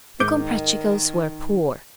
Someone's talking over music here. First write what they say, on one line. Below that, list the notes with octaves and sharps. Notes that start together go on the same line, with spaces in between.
The Comprachicos were poor.
G#2 D#3 D6 G6